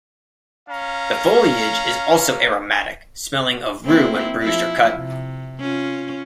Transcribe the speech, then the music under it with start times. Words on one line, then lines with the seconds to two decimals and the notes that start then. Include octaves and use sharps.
The foliage is also aromatic, smelling of rue when bruised or cut.
0.69 C#4 F5 A#5
3.84 A#3 C4 E4
4.43 F3 E4
4.97 C3
5.60 C#4 F4